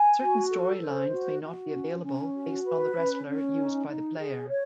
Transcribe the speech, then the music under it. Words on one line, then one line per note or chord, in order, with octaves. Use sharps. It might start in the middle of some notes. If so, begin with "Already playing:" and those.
Certain storylines may not be available based on the wrestler used by the player.
Already playing: G#5
F#4
A4
C5
F#4
F#4
C#4
C#4
F#4
B4
C#4
C#4
D#4
D#4
G#4
C#5